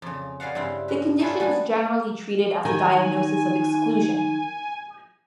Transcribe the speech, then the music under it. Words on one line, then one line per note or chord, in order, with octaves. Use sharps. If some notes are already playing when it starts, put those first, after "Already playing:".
The condition is generally treated as a diagnosis of exclusion.
F2 C#3
F#4 G#4 B4 D5 F5 F#5
G2 C#3 C4 E4 C5 F5
A#4 B4
G3 A3 C#4 F4 G#4 B4
G3 B3 D4 G#5
D#3 G#5